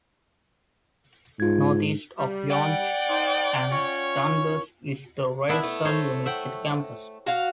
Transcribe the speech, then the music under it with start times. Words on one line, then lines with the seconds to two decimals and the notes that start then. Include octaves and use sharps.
Northeast of Yonge and Dundas is the Ryerson University campus.
1.40 G#2 F4 G#6
2.17 G3
2.49 D5 F#5 G5
3.08 D#4 C5
3.71 C#4 F4 C#5
5.49 B3 D4 E4 E5
5.63 A3
5.85 A4 C5 C#5
6.26 E5 F#5 G5
7.26 F#4 F5